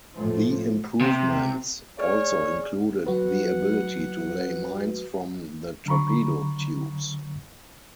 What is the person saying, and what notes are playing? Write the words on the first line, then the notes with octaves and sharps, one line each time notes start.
The improvements also included the ability to lay mines from the torpedo tubes.
A2 F3
C3
G#4 C#5 D5 F6
F#3 F#4 B4 F#5
D3 F#3 A#5 B5 C#6